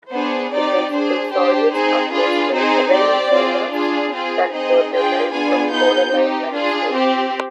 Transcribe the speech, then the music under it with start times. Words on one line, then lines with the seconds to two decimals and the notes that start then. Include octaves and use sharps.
The principal soils are coastal rendzinas that were derived from coralline limestone.
0.12 B3 D4 G#4 C5
0.52 C4 D#4 G4 D5
0.92 D4 G#4 C5
1.32 D4 G4 C5
1.72 C4 D#4 G#4 C5
2.12 D4 F4 G#4 B4
2.53 C4 D#4 G#4 C5
2.92 C4 G4 D5
3.32 C4 F4 G#4
3.72 D4 F4 G#4
4.12 C4 F4 G#4
4.53 C4 D#4 G#4 D#5
4.93 D4 F4 G#4 G5
5.33 B3 D4 F4 G#4 G#5
5.72 B3 D#4 G#4 G6
6.12 C4 D#4 G4
6.53 D4 F4 G#4
6.93 C4 G4